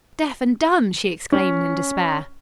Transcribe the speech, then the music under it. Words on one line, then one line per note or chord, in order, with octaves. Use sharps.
"Deaf and dumb!" she exclaimed in despair.
C#4